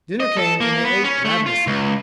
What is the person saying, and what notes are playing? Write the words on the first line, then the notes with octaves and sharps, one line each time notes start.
Dinner came and they ate ravenously.
D#5
A4
A#3
B3
C#4
A3
F4
C#2